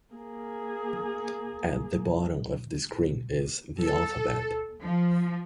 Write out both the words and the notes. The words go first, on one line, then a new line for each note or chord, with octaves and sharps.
At the bottom of the screen is the alphabet.
A#3 G#4
A4
F3